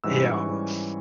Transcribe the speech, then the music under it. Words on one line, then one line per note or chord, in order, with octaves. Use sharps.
a, um, s
G#2 E3 G3 C#4 E6
E6
C#6
G#2 E3 G3 C#4